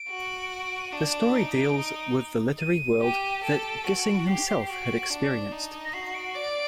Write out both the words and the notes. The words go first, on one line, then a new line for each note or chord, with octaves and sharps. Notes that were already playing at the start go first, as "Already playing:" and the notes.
The story deals with the literary world that Gissing himself had experienced.
Already playing: D7
F#4
D#7
D4 D7
D#4
D#4
D#7
G4
A4 D7
F#4
G4 C7
C7
F#4 D7
D4
D#4
A#6
F#4 C7
D7
D5 D7